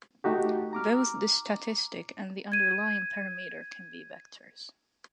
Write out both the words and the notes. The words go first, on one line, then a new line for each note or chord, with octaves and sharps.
Both the statistic and the underlying parameter can be vectors.
A3 D#4 F#4 G4
A#5 D6 F6
G#6 D#7